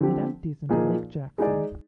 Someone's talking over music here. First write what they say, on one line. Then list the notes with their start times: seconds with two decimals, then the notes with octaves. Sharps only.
It empties into Lake Jackson.
0.01 D3 F3 C4 G4
0.69 A#2 F3 A#3 D#4 G#4
1.38 G#3 D#4 G#4 D5